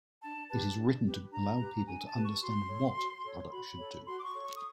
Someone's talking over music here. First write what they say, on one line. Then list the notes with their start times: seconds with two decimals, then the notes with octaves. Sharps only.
It is written to allow people to understand "what" a product should do.
0.21 D4 A5
0.49 G4 B4 A5
0.76 D4
1.05 G4 B4
1.32 D4 A#5
1.59 G4 B4
1.87 D4 G#5
2.05 A5
2.15 G4 B4
2.23 C#6
2.42 F#4 C6
2.68 A4 C#5
2.96 F#4
3.23 A4 C#5
3.51 F#4 B5
3.79 A4 C#5
4.06 F#4 C6
4.18 D6
4.24 C#6
4.34 A4 C#5
4.43 C#6
4.56 D#6